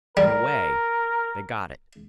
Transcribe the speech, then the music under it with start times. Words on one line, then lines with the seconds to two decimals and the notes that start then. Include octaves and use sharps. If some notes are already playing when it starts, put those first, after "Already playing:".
In a way, they got it.
0.17 G3 A#4